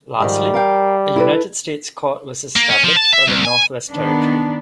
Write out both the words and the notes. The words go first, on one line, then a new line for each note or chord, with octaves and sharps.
Lastly, a United States court was established for the Northwest Territory.
G#2 D#3 F3 G3
A#4 F5 G5
E4 A4 B4
A#3
C#4
F3
A5
E5
C2
G#5
D#3 B3 D4